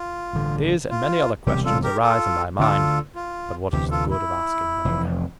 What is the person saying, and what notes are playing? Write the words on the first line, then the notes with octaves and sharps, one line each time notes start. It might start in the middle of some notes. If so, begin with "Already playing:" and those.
These and many other questions arise in my mind, but what is the good of asking them now?
Already playing: F4
A1 G2 D3
F4
E1 D2 C3 G3 G4
F4 A4
G4 A#4
F4 A4
D2 D3 A3 D4 F4 A4
F4
D2 C3 E3 G4
F4 A4
E4
F1 F2 E3